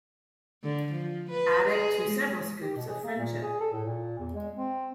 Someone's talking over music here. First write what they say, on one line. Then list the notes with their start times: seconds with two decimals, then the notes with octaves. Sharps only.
Add to it several scoops of friendship.
0.64 D3
0.93 F3
1.31 B4
1.68 G#4
2.09 G#3
2.62 G4
2.75 B2
2.89 G#4
3.04 A#3
3.18 A#2
3.42 G#4
3.60 A4
3.73 A2
3.85 A#2
4.18 E2
4.35 G#3
4.55 C4